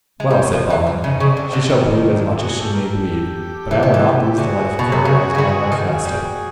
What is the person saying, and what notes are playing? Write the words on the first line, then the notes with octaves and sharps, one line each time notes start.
Well, said Balin, she shall bleed as much as she may bleed, but I will not lose the life of her whiles my life lasteth.
G#3
G3
F#3
F3
E3
D3
C#3 C#4 D#4
C#3 D#4
C4 D4
D3
C#4
G3 A3 C4
D3
D#3 C#4
C4 D4
D4 E4
F#4 G#4
G4 A4
A#4
G4 A4
E3
D#3
E3
G4
D3 F#4 G#4
B2
C3
C#3
C#3
D3
A4
D#3 F#4 G#4
G3